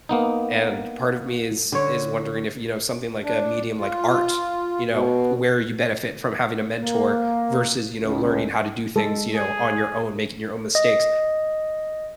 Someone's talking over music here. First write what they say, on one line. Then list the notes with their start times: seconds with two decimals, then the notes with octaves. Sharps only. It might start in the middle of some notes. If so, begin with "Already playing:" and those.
And part of me is is wondering if, you know, something, like, a medium like art, you know, where you benefit from having a mentor versus, you know, learning how to do things, you know, on your own, making your own mistakes.
0.09 A#3 B3 D#4
1.72 D3 C#5
3.24 D4
3.79 F4
4.89 B2
6.81 A#3
8.03 C#2
8.96 G#3 A4
9.33 G#4
10.75 D#5